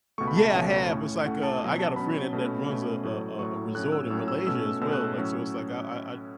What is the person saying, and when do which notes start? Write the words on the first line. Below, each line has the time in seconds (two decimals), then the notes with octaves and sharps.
Yeah, I have, it's like, uh I got a friend that that runs a a a a resort in Malaysia as well, like, so it's, like, I I I
0.18 C#2 B2 A3 C#6
0.27 B5
0.37 A5
0.45 E5
0.54 C#2 B2 A3 C#5
0.90 A2 A3 C#4
1.25 A2 A3 C#4 F#5
1.43 A5
1.62 B2 F#3 C#4
1.79 A5
1.96 B2 F#3 C#4 B5
2.33 B2 A3 C#4
2.68 B2 A3 C#4
3.04 A2 F#3 A3
3.39 A2 F#3 A3 C#6
3.75 A2 F#3 C#4 F#6
3.92 E6
4.10 A2 F#3 C#4 E6
4.28 E6
4.46 B2 A3 C#4 E6
4.81 B2 A3 C#4 E6
4.93 F#6
5.04 E6
5.18 A2 F#3 C#4